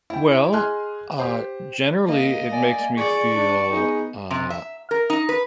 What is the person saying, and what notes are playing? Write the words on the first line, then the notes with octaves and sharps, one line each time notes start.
Well, uh, generally, it makes me feel, uh,
E4 G5
G#4 D#5 G#5 C6 F6 F#6
G4 C5
A#3 D#5
D5 G#5
G#4 D5 C#6
D4
B3 D#4 G#4
C3
E5
A#4
D#4
B4